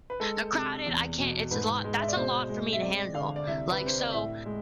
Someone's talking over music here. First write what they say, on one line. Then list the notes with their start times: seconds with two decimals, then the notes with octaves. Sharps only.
they're crowded. I can't, it's a lot that's a lot for me to handle. Like, so
0.10 B4
0.20 G#3 A4
0.52 C3
0.86 E2
1.18 B2
1.51 G#2 B4
1.84 G#3
2.00 E5
2.08 D5
2.16 B2 C5
2.49 G#3
2.73 E5
2.82 C4 D5
3.14 D3 F5
3.36 D5
3.47 C2 E5
3.72 B4
3.81 C3
3.86 C5
4.00 D5
4.12 A2 E5
4.46 G#3